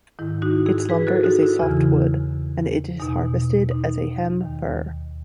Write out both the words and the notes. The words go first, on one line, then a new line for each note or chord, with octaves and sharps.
Its lumber is a softwood, and it is harvested as a hem fir.
G#2 D#3 E4
D#4 F#4
E4 G#4
G#4 B4
F#4 A4
D#4 F#4
E4
E2 C#3 E3 E4
E2 B2 D#4
D#4
D#2 D#3